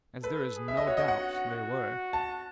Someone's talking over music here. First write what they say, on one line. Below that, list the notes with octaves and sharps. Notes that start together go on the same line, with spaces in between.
As there is no doubt they were.
A4 B4
G#4
E5
D#5
F#4 C#5
D#5
F#5
F#4
F#4
A5